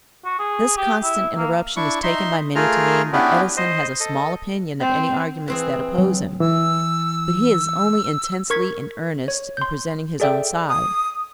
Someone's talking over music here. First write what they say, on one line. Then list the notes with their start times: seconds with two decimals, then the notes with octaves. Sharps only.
This constant interruption is taken by many to mean that Edison has a small opinion of any arguments that oppose him; but he is only intensely in earnest in presenting his own side.
0.25 F#4
0.39 G#4
0.77 G4
1.02 E4
1.37 A#3
1.76 D4 E4 C#6
2.03 D#4 E5 C6
2.55 A3 F4 G#4 A#4 F6
3.13 B3 C#4 D4 E4 G4 B4
3.57 C5 D#5
4.00 A4 D#5
4.80 C4
5.48 E3 C4 G#4
5.98 F#3
6.40 E3 E6
8.50 A#4 C#6 G#6 B6
9.28 C#5
9.57 C6 G6
10.20 G#4 A4 D5 E5 G5 E6
10.69 D#6